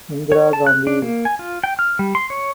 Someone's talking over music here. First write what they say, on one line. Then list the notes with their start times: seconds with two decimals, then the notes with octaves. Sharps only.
Indira Gandhi.
0.32 C#5
0.53 A5
0.67 F#6
0.87 D4
1.02 A#3
1.25 G#5
1.39 F4
1.64 G5
1.79 F6
1.99 G3
2.15 C6
2.30 C#5